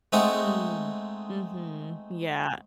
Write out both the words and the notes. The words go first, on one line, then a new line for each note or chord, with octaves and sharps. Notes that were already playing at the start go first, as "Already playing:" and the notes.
Mm. Mhm. Yeah.
G#3 A3 C4 D#4 F#5 D#6